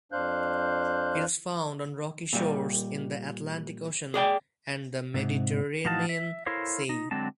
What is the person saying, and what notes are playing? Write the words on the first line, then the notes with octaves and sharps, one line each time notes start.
It is found on rocky shores in the Atlantic Ocean and the Mediterranean Sea.
F2 D4 C5 F5 F#6 G6
A#2 G3
G#4 D5 G5
G#2 C3
A2 F3 D#4 F#4 F5 A5
E5
E4 A4 A#4 C5 C#5 F5
D#4
D3 F#3 G#3 C4 A5